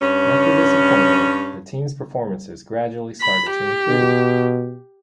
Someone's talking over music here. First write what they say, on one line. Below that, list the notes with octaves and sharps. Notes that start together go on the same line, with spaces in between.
After this appointment the team's performances gradually started to improve.
G2 C#4
B5
G4
B2